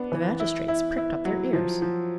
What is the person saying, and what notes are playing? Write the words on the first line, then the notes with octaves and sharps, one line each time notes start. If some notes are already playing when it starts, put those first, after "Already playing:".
The magistrates pricked up their ears.
Already playing: B3 D4
E3
E4
E4
E4
F#3
F3
F3